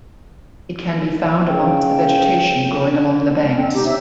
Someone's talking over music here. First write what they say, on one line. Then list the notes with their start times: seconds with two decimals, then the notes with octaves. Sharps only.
It can be found amongst the vegetation growing along the banks.
1.47 C#3 G5
3.41 G#3 C#4
3.56 E2 D3 B3 C4
3.74 D#4 G4
3.86 G4 C5 C#5 E5